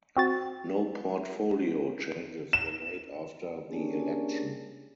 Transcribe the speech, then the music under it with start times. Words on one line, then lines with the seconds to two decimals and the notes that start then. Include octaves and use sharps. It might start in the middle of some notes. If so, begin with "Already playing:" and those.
No portfolio changes were made after the election.
0.17 C4 F#4 A6
2.53 E7
3.70 A#3 C#4 D4 G4 G#4